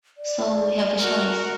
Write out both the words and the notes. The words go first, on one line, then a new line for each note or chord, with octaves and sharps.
So—we have a choice.
D5
F#4 A#4